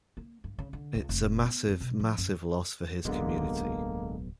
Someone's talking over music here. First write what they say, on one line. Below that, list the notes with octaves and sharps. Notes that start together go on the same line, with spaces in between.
It's a massive, massive loss for his community.
A#3
G2
C#3
D3
C#2
F1
B3
F2
B2
F3
F#2
D1 B1 B2 D3 G#3 A#3